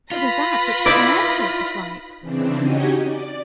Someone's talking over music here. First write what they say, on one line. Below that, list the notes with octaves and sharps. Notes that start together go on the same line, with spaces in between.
"It was that which put my escort to flight."
F4 B4 B5 A#6
D#4 E4 D5
C#3 E3 C4 D4
C#4 D#4 F#4 G4 D#5 G#5
D5